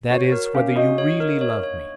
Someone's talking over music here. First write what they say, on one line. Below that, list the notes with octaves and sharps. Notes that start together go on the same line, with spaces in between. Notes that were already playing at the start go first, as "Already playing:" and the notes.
"That is, whether you really love me?"
F#4 C#5
A#4
C#4 F5
F#4 D#5
C#5
A#4
C#5
C#5